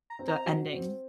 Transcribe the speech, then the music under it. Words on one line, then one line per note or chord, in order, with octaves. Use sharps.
the ending.
A#5
C4
A#5
F#4
C4